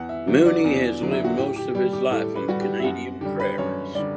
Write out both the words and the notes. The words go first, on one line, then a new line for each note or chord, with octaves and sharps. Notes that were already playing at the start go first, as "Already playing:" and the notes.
Mooney has lived most of his life on the Canadian prairies.
Already playing: E2 F#5
E5
D3 F#3
D5
E2
D3 F#3
E4
F#4
A2 G4
G4
G3 G4
G4
A2 A4
B4
G3 F#4
G4
E4
F#2 F#4
D3 G3 G4
B4
F#2 C#5
D3 G3 D5